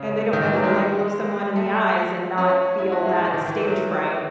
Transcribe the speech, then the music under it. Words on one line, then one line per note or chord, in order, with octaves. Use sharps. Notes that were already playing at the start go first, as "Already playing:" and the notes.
and they don't know how to, like, look someone in the eyes and not feel that stage fright
Already playing: C#3
D#3
E3
F#3
G#3
G#3
A3
C#4
E4
F#4
G#3
E3
D#3
E3
F#3